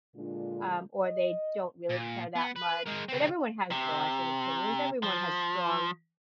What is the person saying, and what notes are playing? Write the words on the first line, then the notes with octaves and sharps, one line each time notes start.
um, or they don't really care that much, but everyone has thoughts and opinions, everyone has strong,
A#2 D3 G#3 D4 F4
D#5
A#2
B3
B4
G#3 A#4
C#3 C4
C3
F3